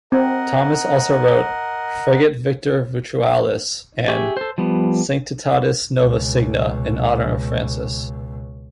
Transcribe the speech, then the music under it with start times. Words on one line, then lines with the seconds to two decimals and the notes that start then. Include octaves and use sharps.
Thomas also wrote "Fregit victor virtualis" and "Sanctitatis nova signa" in honor of Francis.
0.12 C4 A#4 D#5 F#5
4.08 G4 G#4 E5 C#6
4.37 A4 C5
4.58 F3 G3 B3
5.99 C#2 B2